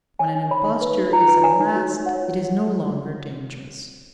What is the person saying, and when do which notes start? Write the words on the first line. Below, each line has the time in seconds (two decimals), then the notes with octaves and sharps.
When an imposture is unmasked it is no longer dangerous.
0.19 C#5 G#5
0.35 D#4
0.51 C#5 B5
0.66 D#4
0.81 B4
0.98 D#4
1.13 F4 A#5
1.28 B4
1.44 C#5 G#5
1.60 D#4
1.75 F#4
1.90 C#5
2.06 C#5 F#5
2.22 F4